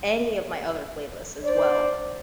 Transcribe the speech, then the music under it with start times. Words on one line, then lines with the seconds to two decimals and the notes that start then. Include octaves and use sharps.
any of my other playlists as well,
1.41 D4 C5 D5